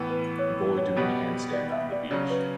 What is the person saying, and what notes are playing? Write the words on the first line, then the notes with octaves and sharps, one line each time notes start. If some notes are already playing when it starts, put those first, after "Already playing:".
A boy doing a handstand on the beach.
Already playing: A2 E3 B3
B4
C#5
C#5
B2 G3 B3
D5
E5
D5
C#3 F#3 C#4 D5
B4